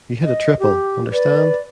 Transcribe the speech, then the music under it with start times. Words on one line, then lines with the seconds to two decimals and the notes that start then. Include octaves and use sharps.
You hit a triple, understand?
0.23 D#5
0.59 G4
1.12 B4 D5